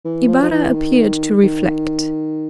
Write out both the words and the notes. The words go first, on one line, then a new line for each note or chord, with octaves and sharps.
Ibarra appeared to reflect.
E3
F3
F3
E3
D#3
D#3